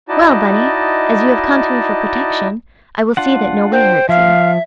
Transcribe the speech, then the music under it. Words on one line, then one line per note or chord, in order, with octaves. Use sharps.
"Well, bunny, as you have come to me for protection I will see that nobody hurts you."
D#4 E4 F#4 D5 D#5 A5
D4 F4 F#5
C5 G5
F3 E5 F5